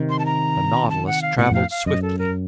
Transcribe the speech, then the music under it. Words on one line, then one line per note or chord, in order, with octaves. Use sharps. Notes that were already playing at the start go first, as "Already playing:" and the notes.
The Nautilus traveled swiftly.
Already playing: C3 D#3
C6
A5
A#5
A5
F#5
F5
A2 C3 F#5
F2 A2 F5
F5
F#2 D#5
A4
A#4